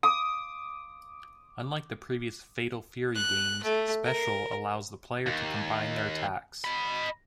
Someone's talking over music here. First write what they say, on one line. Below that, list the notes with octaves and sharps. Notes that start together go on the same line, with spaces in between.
Unlike the previous "Fatal Fury" games, "Special" allows the player to combine their attacks.
D6 D#6
F#6
A3
A#4
D#2
D#5 B5